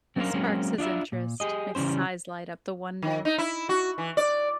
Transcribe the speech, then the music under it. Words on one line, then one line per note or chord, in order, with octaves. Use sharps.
This sparks his interest, makes his eyes light up, the wonder.
F#3 C#4 D4 A#4 C5 F5
F#3 G#3 A#3 C4 C#4
D4 F4 D#5 E5
A#2
G4 G#4 D#5
C#3 E3 G3 C#4 C5
D#3
D#4
E4
F#4
E3
D5